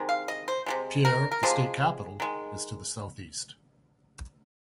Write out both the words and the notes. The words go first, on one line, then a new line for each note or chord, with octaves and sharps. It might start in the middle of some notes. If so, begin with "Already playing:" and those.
Pierre, the state capital, is to the southeast.
Already playing: C3 D#3 G#3
F5
D#5
C5
C3 F3 G#3
A#4
A#4
C3 F3 G#3 G#4
D#3 G#3